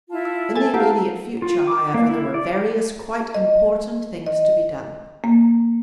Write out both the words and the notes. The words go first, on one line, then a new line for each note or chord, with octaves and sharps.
In the immediate future, however, there were various quite important things to be done.
E4 F4 A5
E6
A4 G#5 A5
E4 G4 F5 F#5 A5 A#5
F4
D6
A#3
E4
D5
D#5
D#5
A#3